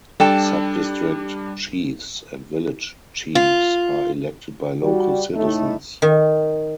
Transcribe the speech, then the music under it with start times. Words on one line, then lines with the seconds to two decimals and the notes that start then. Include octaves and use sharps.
Subdistrict chiefs and village chiefs are elected by local citizens.
0.20 G3 D4 A4 G5 A5
3.35 F4
4.82 G3 F#4
5.35 A2 A3 D#4
6.02 D#3